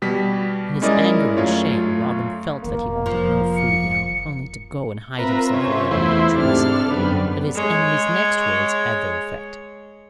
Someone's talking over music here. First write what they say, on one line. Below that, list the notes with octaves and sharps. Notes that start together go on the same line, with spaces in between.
In his anger and shame Robin felt that he wanted no food now, only to go and hide himself away among the trees; but his enemy's next words had their effect.
B2 G3 B6
G#3 C#4 E4 A#4 D5 D#5
F#2 A3 F4 C#5
F1 D#3 A#3
F3
C#7
C4 F4 A#4 B4 E5
C3 C#4
E2 A3 E4 C5
G#2 C3 D4 A4 F6
F#2 D3 G3 B3
G#3 C#5